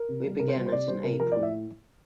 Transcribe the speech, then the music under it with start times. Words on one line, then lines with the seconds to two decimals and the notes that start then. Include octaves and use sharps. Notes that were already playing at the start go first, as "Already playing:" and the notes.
We began it in April.
Already playing: A#4
0.09 C3
0.25 G3
0.40 C3 A#4
0.48 C5
0.56 G3
0.66 C5
0.71 C3 D5
0.88 G3 C5
1.04 C3 A#4
1.19 F3 A#4
1.32 A2 D5
1.43 E5